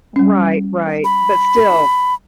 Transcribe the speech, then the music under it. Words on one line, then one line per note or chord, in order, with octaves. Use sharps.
Right, right, but still
G3 C#4
B5